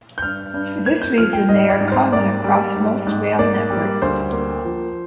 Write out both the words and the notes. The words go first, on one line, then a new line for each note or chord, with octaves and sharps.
For this reason they are common across most rail networks.
G6
G2 F6
G2
A#3 G#6
G6
F3 F6
G5
G#2 D#5
D5
G#2
C5
A#3 D5
G3
G#2
G#2
A#3 D5
G3
D2 C5
A#3
F3